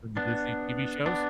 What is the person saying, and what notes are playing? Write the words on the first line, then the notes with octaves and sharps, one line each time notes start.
From the Disney TV shows?
B3 D4
B3 D4